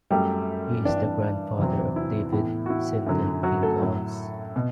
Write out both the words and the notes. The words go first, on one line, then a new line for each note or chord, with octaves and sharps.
He is the grandfather of David Sinton Ingalls.
F#2 F#3 G3 A3 G4
G2 E3 G3 D4
D4
E2 C3 F#3 C4
E4
A2 E3 B3
F#4
E4
F#2 D3 F#3
F#3 F#4
A3 A4
A2 F#3 A3
B2